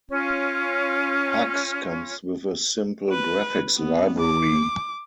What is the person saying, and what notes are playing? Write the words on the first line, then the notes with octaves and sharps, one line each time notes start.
Hugs comes with a simple graphics library.
C#4 F4
B4
B3
D6